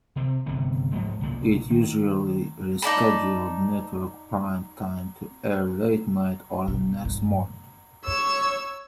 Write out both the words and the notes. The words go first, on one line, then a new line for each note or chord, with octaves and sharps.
It usually rescheduled network prime time to air late-night or the next morning.
C3 C4
G1 C3 D#3 B3
G#2 F3 G#3 A3
C2 A#2 C#3 F3
D#3
D#4 D5 A5 B5
B2
G2
C#5 E6